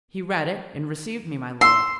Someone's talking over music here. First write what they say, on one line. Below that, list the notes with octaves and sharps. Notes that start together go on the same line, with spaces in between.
"He read it, and received me, my lord."
C6 E6